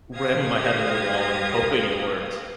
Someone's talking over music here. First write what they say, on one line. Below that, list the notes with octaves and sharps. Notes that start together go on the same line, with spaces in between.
ramming my head into the wall and hoping it works.
G4 C5 D#5 F5 D#6 G#6